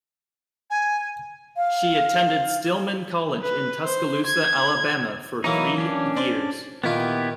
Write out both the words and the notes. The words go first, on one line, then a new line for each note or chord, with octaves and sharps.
She attended Stillman College in Tuscaloosa, Alabama for three years.
G#5
F5
B4
C5
G#6
E3 F#3 A#3 D#4 E4
C#4 D4
C5 D5
A#2 D#3 B3 E4 F4 G4